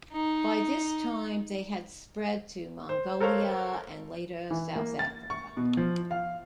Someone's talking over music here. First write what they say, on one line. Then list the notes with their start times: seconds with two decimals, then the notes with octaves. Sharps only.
By this time they had spread to Mongolia and, later, South Africa.
0.13 D#4
2.89 C5
3.20 A4 A#4 C5 C#5 F5
4.50 E3
4.75 A#3
4.99 A6
5.30 C#6
5.57 B2
5.77 F3
6.11 F5